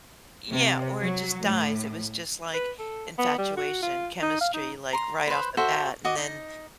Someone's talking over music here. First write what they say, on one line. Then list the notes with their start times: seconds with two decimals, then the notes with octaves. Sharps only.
Yeah, or it just dies, it was just, like, infatuation, chemistry, like, right off the bat, and then
0.51 C3
1.00 F#3
1.44 A2
2.54 B4
2.79 A4
3.18 B3
3.38 G3
3.57 F#4
3.83 F4
4.22 D#4
4.41 F5
4.54 D#4
4.93 A#5 C6
5.27 B4 C5
5.57 F#4 A4 C5 E5
6.05 F#4 D#5 D6
6.17 D#4 D#5